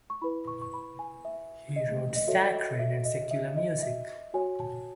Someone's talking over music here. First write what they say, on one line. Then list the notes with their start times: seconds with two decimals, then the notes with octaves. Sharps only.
He wrote sacred and secular music.
0.10 C#6
0.22 E4 B4 B5
0.48 C#6
0.62 C#6
0.74 B5
0.99 G#5
1.25 E5
1.76 D#5
2.16 D#5
2.28 F#4 A4 C#5 E5
2.54 D#5
2.79 E5
3.05 D#5
3.31 E5
3.57 D#5
3.82 E5
4.34 F#4 C#5 G#5
4.60 A5